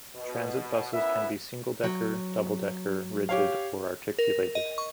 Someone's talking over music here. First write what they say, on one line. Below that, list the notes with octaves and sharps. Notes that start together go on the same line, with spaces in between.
Transit buses can be single-decker, double-decker, rigid or articulated.
B2
B3 C#4 E4 A#4 E5
F#3
G4 C#5 F5
A#4
D#5
C#6